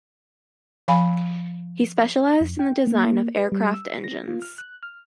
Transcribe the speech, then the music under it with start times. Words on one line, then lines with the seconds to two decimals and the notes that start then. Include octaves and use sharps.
He specialised in the design of aircraft engines.
0.88 F3 F5 G#5 B5
2.41 F2
2.59 G5
2.87 A#3
3.36 B4
3.52 G3
3.74 E6
4.04 A#6
4.28 F4
4.42 F6
4.58 F#6
4.83 F6